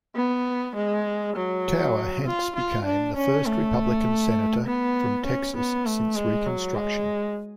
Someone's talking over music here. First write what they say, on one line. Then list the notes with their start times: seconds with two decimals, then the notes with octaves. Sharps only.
Tower hence became the first Republican senator from Texas since Reconstruction.
0.16 B3
0.76 G#3
1.36 F#3
2.26 F4
2.56 F4
2.85 D4
3.17 C#4
3.46 A3
4.66 B3
5.26 C#4
5.57 B3
5.86 A3
6.16 G#3
6.46 F#3
6.75 G#3